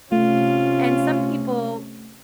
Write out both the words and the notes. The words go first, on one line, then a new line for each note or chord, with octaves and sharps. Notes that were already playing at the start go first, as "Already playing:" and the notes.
And some people
C3 A3 C#4 F4